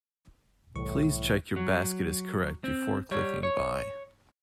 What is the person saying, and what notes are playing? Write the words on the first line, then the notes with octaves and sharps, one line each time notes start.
Please check your basket is correct before clicking buy.
C2 A2 E3 C#6
F#3
C4
G3 C#5
C#5